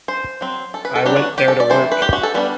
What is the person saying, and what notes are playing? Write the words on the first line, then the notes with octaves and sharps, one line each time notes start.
I went there to work.
C5
F#3 C4
A4
B4
A4
F#3 B3 D4 G4
F#4
G4
A4
D5
E3 A3 C4 C5
B4
G4
F#4
A4
G3 B3 D4 B4